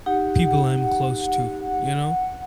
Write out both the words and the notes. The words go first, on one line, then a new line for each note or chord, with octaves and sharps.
people I'm close to, you know?
D#4 G4 F#5